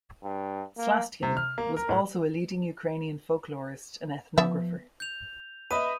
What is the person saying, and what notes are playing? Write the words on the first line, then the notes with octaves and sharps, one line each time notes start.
Slastion was also a leading Ukrainian folklorist and ethnographer.
G2
A#3
C3
F6
A#3
A#4
A2
F3 B3 E5
G6 F7
B4 D#5 E5 B5 D#6 D#7